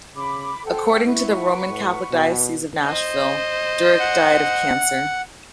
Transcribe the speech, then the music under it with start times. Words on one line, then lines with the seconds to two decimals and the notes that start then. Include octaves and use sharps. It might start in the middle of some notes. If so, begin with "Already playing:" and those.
According to the Roman Catholic Diocese of Nashville, Durick died of cancer.
0.15 C#3 B5 D6
0.65 A4 C5 F#5 G5
1.06 E4 B4 F#5 C#6
1.68 A2
2.11 B2
2.86 C5 D#5
4.00 F#5